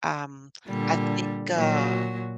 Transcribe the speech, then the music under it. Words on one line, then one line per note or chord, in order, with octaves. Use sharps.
Um, I think, uh
A#2 D3 G3
A#2 F#3 F#4